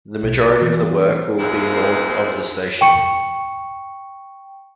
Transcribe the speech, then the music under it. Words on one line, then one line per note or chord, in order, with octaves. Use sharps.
The majority of the work will be north of the station.
B1 B2
E3 B3
D#2 G#2 C4 E4 F4 G#4
G5 C#6 C#7